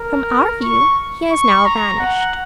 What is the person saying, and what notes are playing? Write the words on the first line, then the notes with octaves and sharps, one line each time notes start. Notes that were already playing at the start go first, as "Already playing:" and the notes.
From our view he has now vanished.
Already playing: A#4
C#6
C#6
A#5
F#5